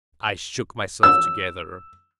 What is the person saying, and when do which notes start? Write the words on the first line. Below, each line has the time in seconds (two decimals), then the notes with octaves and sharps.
I shook myself together.
1.03 E6